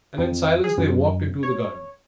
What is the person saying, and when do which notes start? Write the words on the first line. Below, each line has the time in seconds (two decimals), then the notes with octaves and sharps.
And in silence they walked into the garden.
0.18 F2
0.64 G#4
0.78 F#2
1.43 C#5